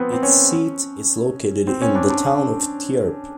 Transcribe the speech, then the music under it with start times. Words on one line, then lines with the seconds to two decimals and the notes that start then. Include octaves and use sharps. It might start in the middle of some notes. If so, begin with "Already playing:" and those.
Its seat is located in the town of Tierp.
Already playing: F3 B3 C4
0.13 C4
0.23 C#4
1.67 C4
1.82 C#4
1.95 D4
2.10 D4